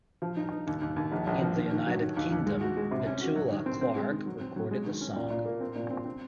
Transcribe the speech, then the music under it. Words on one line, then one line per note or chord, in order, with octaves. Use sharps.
In the United Kingdom, Petula Clark recorded the song.
F3
D#4
D#4
D#2
D#2
D#2
A#1
A#1
F3
D#3
D#3
F#3
D#3
D#2
D#2
G#3
F#4
G#3
C3
C#4
F#4
F#3
D#3
C4
C4
G#3
D#3
F#3
C4
F#3
G#3
D#3
C#4
A#2
A#2
A#3
C4
A#2
C4
C4